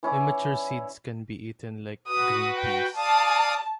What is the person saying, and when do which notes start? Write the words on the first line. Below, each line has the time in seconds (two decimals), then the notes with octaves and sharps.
Immature seeds can be eaten like green peas.
0.03 E3 C#4 E4 D5
2.08 F#4 B4 D#6
2.57 G5
2.96 D5 F5 A5 D#6